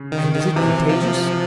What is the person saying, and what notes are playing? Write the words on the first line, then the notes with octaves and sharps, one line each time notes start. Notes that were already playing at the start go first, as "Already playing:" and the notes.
"And is it contagious?"
Already playing: C#3
D#3
D#3
C3 E3
F3